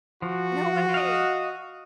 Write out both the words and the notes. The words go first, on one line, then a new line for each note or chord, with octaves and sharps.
No way.
F3 F#4
D#5 F5